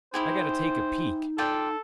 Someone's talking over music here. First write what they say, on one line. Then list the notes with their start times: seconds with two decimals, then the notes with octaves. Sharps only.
I gotta take a peek.
0.14 D#4 E4 G4 G#4 C5
1.38 F4 A4 D5 G5